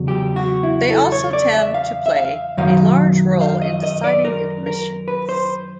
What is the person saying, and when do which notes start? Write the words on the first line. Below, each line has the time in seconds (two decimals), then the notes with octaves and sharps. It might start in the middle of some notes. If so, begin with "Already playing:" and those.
They also tend to play a large role in deciding admissions.
Already playing: E2 C#3 F#3
0.08 G4
0.36 F#4
0.63 E4
0.91 A4
1.12 C#5
1.33 D5
1.53 E5
1.74 F5
2.06 E5
2.17 F5
2.57 F#2 D#3 F#3 F5
3.41 F5
3.62 D#5
3.84 D#5
4.04 D5
4.25 A#4
4.66 A#4
5.08 B4
5.29 C5